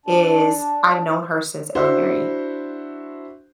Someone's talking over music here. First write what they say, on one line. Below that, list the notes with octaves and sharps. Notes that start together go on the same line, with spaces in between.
is I've known her since elementary,
D4
D4 E4 F#4 C5